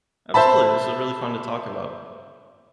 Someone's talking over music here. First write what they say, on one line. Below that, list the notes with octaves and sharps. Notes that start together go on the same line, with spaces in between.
Absolutely, this was really fun to talk about.
C5 E5 A5 B5